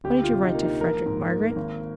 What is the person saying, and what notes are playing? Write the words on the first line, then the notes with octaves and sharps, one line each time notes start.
'When did you write to Frederick, Margaret?
D2 G4
F4
C3
D#4
A#3
D#4
A#1 A#4
G#2
A#3
G#1